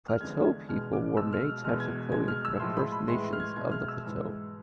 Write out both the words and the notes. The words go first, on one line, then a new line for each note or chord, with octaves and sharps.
Plateau people wore many types of clothing for the First Nations of the Plateau.
F6
E2 D3 F3 G#3 G#6
G#6
E2 B2 G#3 F6
D6
B2 G#3 E6
F6
F6
E2 B2 G#3 F6
G#6
B2 G#3 G#6
F6
E6
A2 F3 G#3 C6
B5
B5
A2 E3 G#3 C6
C6
F6
G#6
B2 G#3 G#6
F6
E6
G#2 E3 G#3